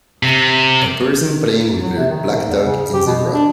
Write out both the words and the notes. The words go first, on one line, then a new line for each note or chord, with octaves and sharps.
A person playing with their black dog in the grass.
C3
F#3
C3
D#3
G#2
E2
C#3
G4
B2
D4